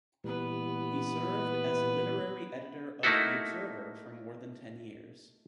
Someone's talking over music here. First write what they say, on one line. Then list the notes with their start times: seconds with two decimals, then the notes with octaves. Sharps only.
He served as literary editor of "The Observer" for more than ten years.
0.24 A#2 E3 G3 B3 B4
3.03 A3 A#3 D#4 E4 F#4 A4